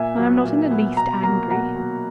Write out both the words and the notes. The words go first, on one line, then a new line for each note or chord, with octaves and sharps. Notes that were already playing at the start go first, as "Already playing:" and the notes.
"I am not in the least angry."
Already playing: A#2 E5 G#5
F#3 B3
A#2
F#3 B3
B2 A#5
F#3 A#3 A#5
B2 F#5 A#5
F#3 A#3